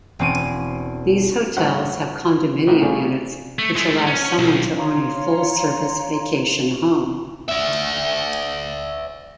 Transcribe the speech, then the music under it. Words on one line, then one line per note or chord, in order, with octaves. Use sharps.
These hotels have condominium units which allow someone to own a full-service vacation home.
E1 C4 C#4 D7 D#7
A1 G2 F#4 C5 F#5
A#1 A2
C#3 G3 A3 D4 G#4
A3
G#3 A3
C#4
B1
C#5 F5 A#5 C6
D5 E5